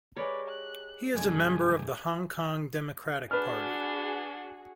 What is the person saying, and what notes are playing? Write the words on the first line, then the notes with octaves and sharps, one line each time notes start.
He is a member of the Hong Kong Democratic Party.
G#3 G4 A#4 B4 C#5 D5
F#6
C2 F#2 D3 G#3 G#5
D4 F#4 G#4 B4 F6